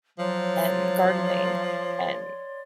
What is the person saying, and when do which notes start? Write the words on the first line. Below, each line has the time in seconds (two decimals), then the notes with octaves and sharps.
and gardening and
0.19 F3 F#3 C#5 D5 C6